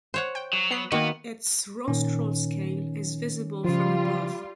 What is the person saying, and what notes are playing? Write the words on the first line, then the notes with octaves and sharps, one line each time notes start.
Its rostral scale is visible from above.
C5 C#5 F#5
G5
F#3
B3 C7
D#3 A#3 B3 F#4
A#2 D#3 C#4
C#3 F3 G3 F4